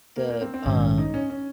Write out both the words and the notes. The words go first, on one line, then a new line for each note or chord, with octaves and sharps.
the, um
A#3
A#3
C4
C4
A#1 G#2 D#3 G#3 C#4
C#4
D#4
C#4
C#4